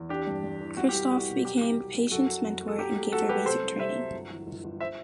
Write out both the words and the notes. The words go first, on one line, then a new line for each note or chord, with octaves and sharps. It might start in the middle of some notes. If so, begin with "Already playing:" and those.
Kristof became Patience's mentor and gave her basic training.
Already playing: E2
D4 G4
G2
G2
E3
G3 F#4
G4
C2
C2 F#4
B2
F#3 G4
C2 G4
F#3
C2
F#2 F#4 A4
F#3
F#2
F#1
A4
F#3 G4
A3
F#3 F#4 A4
F#3 G4 B4
C3 A4 C5
C2
C3 C5 E5
F#3
G1
E3
G1
G1
C5 E5